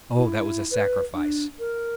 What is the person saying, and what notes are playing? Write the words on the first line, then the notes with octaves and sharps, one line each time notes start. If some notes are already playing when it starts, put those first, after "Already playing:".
Oh, that was a sacrifice!
E4
B4
D4
A#4